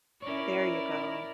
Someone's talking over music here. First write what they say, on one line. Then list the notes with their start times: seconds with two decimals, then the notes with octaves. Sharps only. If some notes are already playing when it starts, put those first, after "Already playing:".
There you go.
0.22 C#4 E4 A#4 C#5 D5